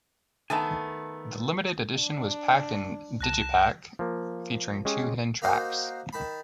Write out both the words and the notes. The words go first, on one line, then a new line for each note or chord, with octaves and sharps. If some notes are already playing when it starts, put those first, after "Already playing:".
The limited edition was packed in digipak, featuring two hidden tracks.
D#3 A3 B3 G#5 A5
D4
C2 A5 F#6 A#6 E7
F3 A#3
G#3 C#4 G4 G#4
A#3 D#4 F#4 C5
D#3 A5 B5